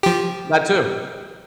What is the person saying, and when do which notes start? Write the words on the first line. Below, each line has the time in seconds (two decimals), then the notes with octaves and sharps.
that too.
0.03 F3 G4